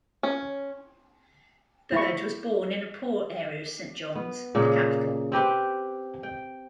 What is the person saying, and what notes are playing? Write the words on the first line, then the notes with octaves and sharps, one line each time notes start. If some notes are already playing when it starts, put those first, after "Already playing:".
Bird was born in a poor area of Saint John's, the capital.
C#4
E4 C#6
B3
A#2 C#3 A#3
C4 G4 B4 C5
G5